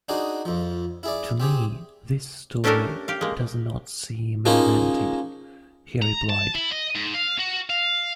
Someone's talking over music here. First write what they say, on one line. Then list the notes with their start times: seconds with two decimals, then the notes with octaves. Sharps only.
"To me this story does not seem invented," he replied.
0.09 D4 D#4 F#4 G#4 C5
0.45 F2 F3
1.03 E4 G#4 D5
1.40 C4 G4 G#4
2.64 A3 C#4 D4 G4 A4 A#4
3.08 G4 F5
3.21 G#3 A#3
4.46 F3 G#3 A#3 C#4 D#4
6.02 A#5
6.30 A5
6.55 E4
6.72 D#5
6.95 G#2
7.14 F5
7.39 F#4
7.69 F5